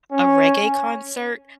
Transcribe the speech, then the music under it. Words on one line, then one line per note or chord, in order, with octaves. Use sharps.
a reggae concert,
C#4